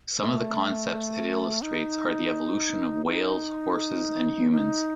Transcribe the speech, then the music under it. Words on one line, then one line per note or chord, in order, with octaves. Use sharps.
Some of the concepts it illustrates are the evolution of whales, horses, and humans.
A3
D#4
D#4
D#4